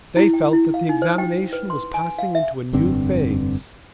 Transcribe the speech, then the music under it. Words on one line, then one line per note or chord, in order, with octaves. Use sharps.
They felt that the examination was passing into a new phase.
E4
G5
E4
F5
D#4
C5
G5
B4
C6
G#5
F5
E5
F1 G2 D3 C4